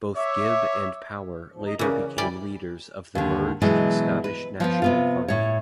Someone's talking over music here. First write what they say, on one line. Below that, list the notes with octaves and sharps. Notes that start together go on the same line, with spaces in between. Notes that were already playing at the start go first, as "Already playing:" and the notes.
Both Gibb and Power later became leaders of the merged Scottish National Party.
C#5 E5 D6
E2 G#2 F3
F#2 D#5 A#5
C#3 E3 A#3 A#4 D5
F2 G3 E4 D5 G#5
D#2 D3
B2 E3 F#3 G#3
B4
F3 B3 F4
C3 B3 F4
A2 C#5